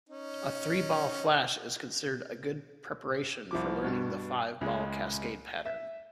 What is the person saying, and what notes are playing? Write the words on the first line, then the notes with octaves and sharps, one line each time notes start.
A three-ball flash is considered a good preparation for learning the five-ball cascade pattern.
C#4 D#4
C2 F3 D6
G2 B2
C#2 G#3
E5